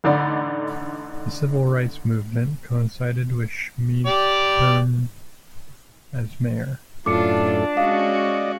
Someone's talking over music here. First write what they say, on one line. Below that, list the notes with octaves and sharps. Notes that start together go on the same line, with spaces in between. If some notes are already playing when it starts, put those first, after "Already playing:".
The civil rights movement coincided with Schmied's term as mayor.
A1 D3 D#4 D5 F#5 B5
G4 D5
F#2 A2 D4 F4 A4 D6 C#7
G#3 C#4 F#4 D5 D#5 F5